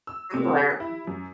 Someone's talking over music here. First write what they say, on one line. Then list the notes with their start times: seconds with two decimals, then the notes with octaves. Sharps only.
similar. Mhm.
0.07 E6
0.34 C3
0.58 G4
0.80 E4
1.07 F#2